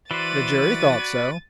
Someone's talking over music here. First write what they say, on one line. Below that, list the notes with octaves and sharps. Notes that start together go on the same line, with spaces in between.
"The jury thought so."
E3 F#4 C5 D5 B5 A6 D#7